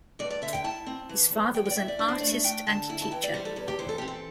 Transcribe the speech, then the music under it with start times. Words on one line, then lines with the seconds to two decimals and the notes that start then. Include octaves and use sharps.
His father was an artist and teacher.
0.19 G2 D5
0.30 D5
0.42 D3 E5
0.53 G5
0.64 E4 A5
0.87 C4
1.09 E3
1.31 E2
1.54 E2 G5
1.65 G5
1.71 D5
1.77 E4 E5
1.88 D5
1.99 D4
2.08 C5
2.20 A3 D5
2.32 E5
2.44 D4 G5
2.67 D3 A5
2.89 E4 A5
3.02 A5
3.11 E3 G5
3.23 D5
3.34 G3 C5
3.45 A4
3.56 E2 A4
3.68 G4
3.79 E3 C5
3.89 A4
3.98 C4 G4
4.08 A4